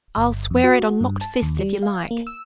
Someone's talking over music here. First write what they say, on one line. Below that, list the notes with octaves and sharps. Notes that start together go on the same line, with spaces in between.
'I'll swear it on locked fists, if you like.
G1
F2
F#4
G2
A5
D#2
G3
F5
A#3
E6